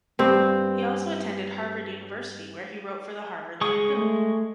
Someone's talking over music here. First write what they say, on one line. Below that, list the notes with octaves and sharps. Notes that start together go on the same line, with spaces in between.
He also attended Harvard University where he wrote for the "Harvard Lampoon".
G2 C4
G#3 G#4 C#6 D#6
A3